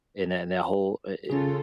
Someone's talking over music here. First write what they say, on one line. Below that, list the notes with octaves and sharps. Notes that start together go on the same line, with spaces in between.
in that that whole, eh eh
C#3 C#4 F4 G#4 A4